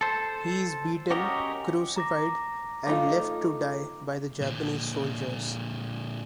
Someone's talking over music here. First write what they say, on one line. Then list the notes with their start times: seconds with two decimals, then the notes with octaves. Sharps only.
He is beaten, crucified, and left to die by the Japanese soldiers.
0.01 A4 C5
1.10 C#4 F#4 G4 A#4 D#5
1.96 A#5 D6 A#6
2.87 A3 D#4 F4 D6
4.42 A#2 D3